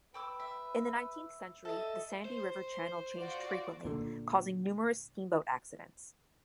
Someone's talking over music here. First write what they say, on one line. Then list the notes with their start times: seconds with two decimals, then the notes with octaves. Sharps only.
In the nineteenth century, the sandy river channel changed frequently, causing numerous steamboat accidents.
0.14 B4 G5 D6 E6
0.40 E5
1.65 A4 D#5 E5
2.25 C5
3.17 F4 F#4 D5
3.85 A#2 D3